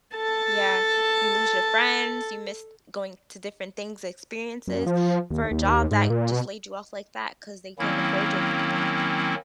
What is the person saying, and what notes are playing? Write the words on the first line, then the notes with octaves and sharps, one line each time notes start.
Yeah. You lose your friends, you miss going to different things experiences for a job that just laid you off like that 'cause they couldn't afford you anymore.
A4 A5
F#2
F3
D#2
D#2
G#2
A#2
B2
D#3 F#3 A#3 C4 C#4 E4